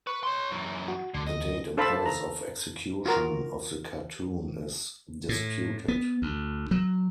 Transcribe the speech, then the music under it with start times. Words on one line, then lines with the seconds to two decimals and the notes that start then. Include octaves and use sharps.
The date and place of execution of the cartoon is disputed.
0.07 B4 C#6
0.23 C#5 C6
0.51 F#2 E3
0.88 F#4
1.14 D2 D3
1.27 D#5
1.77 D4 A4 C5 F5 A5 B5
2.06 A#5
3.06 F4 F#4 A#4 A#5
5.29 A2
5.88 B3
6.22 D2
6.71 F#3